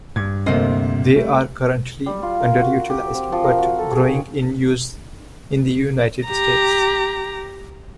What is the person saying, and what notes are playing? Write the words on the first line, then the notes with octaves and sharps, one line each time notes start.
They are currently underutilized but growing in use in the United States.
G2 G#6
D2 C3 A#3 D#5 C7
G3 A3
G3
F4
A#4
F#4
G4
C4
F3
A#4
F#4
A4
G#4
D#3
G4 A#5